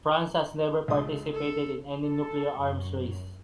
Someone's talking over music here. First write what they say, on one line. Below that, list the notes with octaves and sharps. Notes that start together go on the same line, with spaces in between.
France has never participated in any nuclear arms race.
C#2 A3 D#6
A4
A4
F#2